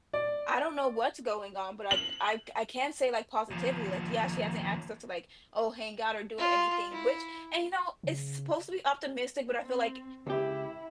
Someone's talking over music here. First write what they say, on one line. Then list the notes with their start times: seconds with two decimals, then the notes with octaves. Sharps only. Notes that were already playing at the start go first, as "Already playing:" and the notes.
I don't know what's going on, but I'd I I can say, like, positively, like, yeah, she hasn't asked us to, like, oh, hang out or do anything, which and, you know, it's supposed to be optimistic, but I feel like
0.13 D5
1.91 F#7
3.51 D#2 F3
6.38 F4
6.91 E4
8.03 C#3
9.61 C4
10.27 C#2 E4 G4